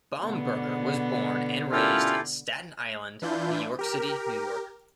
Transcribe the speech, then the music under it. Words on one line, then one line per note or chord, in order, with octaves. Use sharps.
Bamberger was born and raised in Staten Island, New York City, New York.
B2 D3 B3
A#2 C#4 E4 F4 G4 A4
E3 D4 E4 F4 G6
G4 A#4